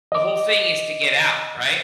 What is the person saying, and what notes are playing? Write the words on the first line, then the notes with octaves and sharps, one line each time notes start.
the whole thing is to get out, right?
D#5 D6